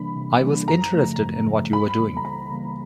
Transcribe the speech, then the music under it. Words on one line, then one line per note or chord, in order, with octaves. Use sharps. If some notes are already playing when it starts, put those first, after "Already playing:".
I was interested in what you were doing.
Already playing: C3 E3 G3 A#3 D4 B5
C3
E3 G3 A#3 D4
F#2 A#5
C#3 F3 A3
F#2
C#3 F3 A3
C#2 B5
C#3 E3 G3 A#3
A#5
C#2 B5
C#3 E3 G3 A#3